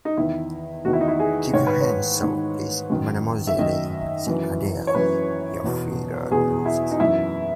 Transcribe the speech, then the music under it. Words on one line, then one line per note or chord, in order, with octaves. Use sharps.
"Keep your hands so, please, mademoiselle," said Adele; "your fingers loose."
D#4
E2 D#3 E4
E2 D#3 F#4
E4
D#4
E4
G#4
G#2 D#3 C#5
B4
C#5
G#2 D#3
F#2 D#3
E5
F#2 D#3 D#5
F#2 E3
C#5
F#2 E3 B4
E2 B2
E2 B2 G#4
E4
D#4
F#2 E3 E4